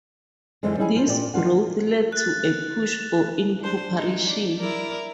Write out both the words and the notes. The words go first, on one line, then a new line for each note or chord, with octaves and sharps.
This growth led to a push for incorporation.
F#2 D3 E3 F3 G3 G#3
G3 C#4 D#4 E4 G4 G#4
F3
A#2 F4 G4 D5
D#3 F3 G3 F4 F#5
F#6 A6
D4 C5
G#3 D#4 F4
D5
E4 A#4 D5